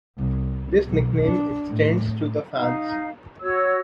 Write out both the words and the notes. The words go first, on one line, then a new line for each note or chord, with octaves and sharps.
This nickname extends to the fans.
C2
B1
D4
A2
D#4 F5
F#4 C#5 E6